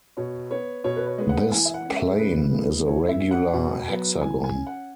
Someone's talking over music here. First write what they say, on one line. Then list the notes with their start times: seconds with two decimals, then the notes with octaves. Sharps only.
This plane is a regular hexagon.
0.17 B2 C#5
0.51 B3 C#5
0.84 B2 C#5
0.97 B4
1.07 C#5
1.18 G#3 B3
1.29 F#5
1.52 E3 G#5
1.65 E5
1.74 F#5
1.85 G#3 C#4
1.96 E5
2.09 G#4
2.19 C#3 B4
2.53 E3 G#3 B3
2.86 E3 C#5
3.09 E5
3.20 C#4
3.31 F#5
3.54 B2
3.88 F#3 B3
4.21 E3 G#5
4.44 G#5
4.55 C#4
4.67 F#5